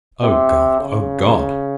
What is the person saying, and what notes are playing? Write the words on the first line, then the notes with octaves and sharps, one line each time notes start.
O God! O God!
C3
C#3